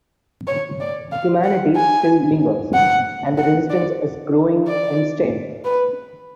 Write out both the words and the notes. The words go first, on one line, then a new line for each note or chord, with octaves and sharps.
Humanity still lingers, and the Resistance is growing in strength.
C#5
D5
F5
F#5
G#5
F#5
F#5
D5
D5
B4